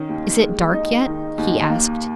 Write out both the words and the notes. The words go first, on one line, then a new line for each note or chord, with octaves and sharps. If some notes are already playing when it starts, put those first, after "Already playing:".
'Is it dark yet?' he asked.
Already playing: D#3 C#4
D#2
G#3
D#4
D#3
D#2
A#3